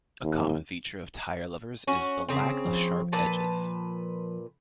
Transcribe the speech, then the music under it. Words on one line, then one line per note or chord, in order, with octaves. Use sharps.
A common feature of tire levers is the lack of sharp edges.
D#2
C#4 F#4
C#3 C4
F3
A#2 B4 A5